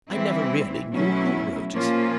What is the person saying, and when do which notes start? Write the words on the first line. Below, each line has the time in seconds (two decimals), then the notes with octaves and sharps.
"I never really knew who wrote it."
0.10 E3 G3 C4 E4
0.92 B2 F#3 A3 C#4 E4
1.75 A#2 F3 A#3 C#4 F4